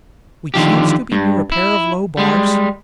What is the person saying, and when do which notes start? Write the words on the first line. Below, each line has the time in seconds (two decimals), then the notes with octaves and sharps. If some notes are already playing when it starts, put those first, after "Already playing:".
We chanced to be near a pair of low bars.
0.54 D3 D#3 F3 G4
1.12 G2
1.52 E4
2.17 G3 G#3